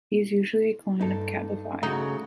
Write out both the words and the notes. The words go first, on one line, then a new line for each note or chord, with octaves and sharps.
He is a usual client of Cabify.
G2 D#4 A4
C#3 A3 D#4 F#4